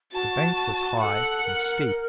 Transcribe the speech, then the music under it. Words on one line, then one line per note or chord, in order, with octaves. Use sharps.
The bank was high and steep.
F#4 A5
A4 F#5
A#4